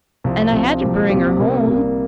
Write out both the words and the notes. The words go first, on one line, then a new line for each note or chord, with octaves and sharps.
And I had to bring her home.
C2 C3 F3
C2 C3 F3
C2 A#2 F3 C4 G4
C2 A#2 F3 C4 G4
C2 C3 G3 A#3
C2 C3 G3 A#3